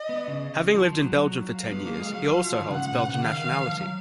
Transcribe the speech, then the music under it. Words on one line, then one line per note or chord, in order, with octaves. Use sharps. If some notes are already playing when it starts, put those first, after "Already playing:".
Having lived in Belgium for ten years, he also holds Belgian nationality.
Already playing: D#5
B3
C#3
F3
F3
F#3
F5
B3
A#3
G#3
F#3
F3
D#3
C#3 F#5
G#2
A#2
B2
C#3
D#3 F5
F3
D#3
F3
F#3